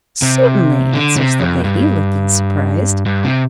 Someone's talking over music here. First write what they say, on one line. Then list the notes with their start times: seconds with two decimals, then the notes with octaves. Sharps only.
"Certainly!" answers the lady, looking surprised.
0.22 C3
0.93 D3
1.16 C3
1.40 F2
1.64 G2
3.06 G2
3.24 C3